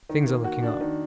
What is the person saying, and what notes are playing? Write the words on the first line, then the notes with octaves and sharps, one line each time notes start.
Things are looking up.
D#3
A#3
F#4
D4
D#3